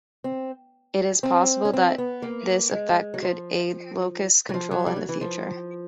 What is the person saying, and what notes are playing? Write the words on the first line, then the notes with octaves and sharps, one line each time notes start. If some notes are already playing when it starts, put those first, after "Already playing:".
It is possible that this effect could aid locust control in the future.
C4
C4
C#4
C4
B3
A#3
G#3
F#3
F3
F#3
F3
F#3
G3
F#3
E3
F3